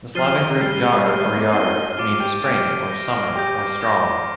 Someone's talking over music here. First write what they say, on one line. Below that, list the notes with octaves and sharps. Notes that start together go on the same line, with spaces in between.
The Slavic root "jar" or "yar" means "spring" or "summer" or "strong".
F3 F6 A6 C7 D#7 G7
D#3
G3 F6 A6 C7 D#7 G7
G3
G3 F6 C7 D#7 G7
A3
A#3
C4 F6 C7 D#7 G7
D#4
F4 D6 A6 D7 G7
G4
G4 D6 A6 D7 G7
G6 A#6 D7
G4 G6 A#6 D7
D6 G6 A#6